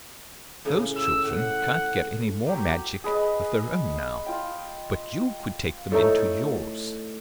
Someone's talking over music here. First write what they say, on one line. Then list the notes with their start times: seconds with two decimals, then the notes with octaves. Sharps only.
Those children can't get any more magic of their own now, but you could take them into yours.
0.65 A2 C#3 A#3
0.96 B5 E6
1.25 A2 F#5
2.47 F#3 G4
3.04 G#4 B4 D#5
4.26 F4 G5
5.92 A2 A3 D#4 A4